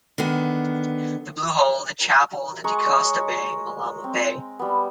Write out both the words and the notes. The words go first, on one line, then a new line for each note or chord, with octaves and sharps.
The Blue Hole, the Chapel, the Decosta Bay, Malama bay.
D3 D#3 B3
G#3 A#5 C#6
C#5 D#5
C4
G3 B3